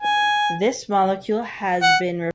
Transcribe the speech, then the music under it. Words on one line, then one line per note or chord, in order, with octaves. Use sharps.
This molecule has been reported to have broad-spectrum antimicrobial activity that includes human pathogens.
G#5
F#5